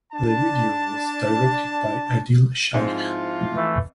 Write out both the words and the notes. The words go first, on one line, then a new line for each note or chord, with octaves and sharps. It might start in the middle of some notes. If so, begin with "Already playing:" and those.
The video was directed by Adil Shaikh.
D4 A5
G#2 F3 C4 E4 F4
E3 A3